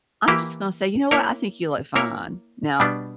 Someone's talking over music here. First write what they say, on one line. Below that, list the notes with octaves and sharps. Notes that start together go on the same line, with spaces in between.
I'm just gonna say, "You know what? I think you look fine." Now,
E3 A#3 E4 G4
A#3 E4 A#4 C#5
A#3 E4 A#4 C#5
B2 G3 B3 D4